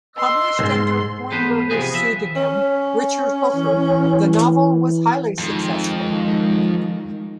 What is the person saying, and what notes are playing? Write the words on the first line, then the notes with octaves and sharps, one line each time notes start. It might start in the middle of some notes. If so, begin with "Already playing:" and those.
Published under Hornberger's pseudonym, Richard Hooker, the novel was highly successful.
B4 D#5 C6 E6
C2 G#2
E2 B3 A4 B4 C5
C3 F3 G#4 B4
F3 E5
C#4
E3
F2 D#3 G#3